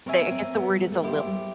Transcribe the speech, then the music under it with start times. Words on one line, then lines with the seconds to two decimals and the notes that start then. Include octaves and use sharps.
They I guess the word is a lilt.
0.06 C4 A#4 C#5 E5 G#5
0.19 B3
0.31 C4
0.42 C4
0.55 B3
0.69 G3
0.81 G#3
0.92 A3
1.03 A#3 E4 G4 C5
1.15 G#3
1.27 G3